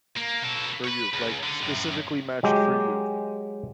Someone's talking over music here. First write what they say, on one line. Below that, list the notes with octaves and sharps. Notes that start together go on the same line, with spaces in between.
For you, like, specifically matched for you.
A#3
B2 A4
B4 C#5
C#2
D3
F#2 A2
F#3 G#3 G4